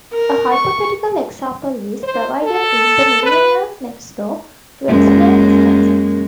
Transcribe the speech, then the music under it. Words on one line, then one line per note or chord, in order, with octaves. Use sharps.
A hypothetical example is provided in "The Millionaire Next Door" to explain this concept.
A#4
C#6
C5
A4
B4
F#2 G#3 A#3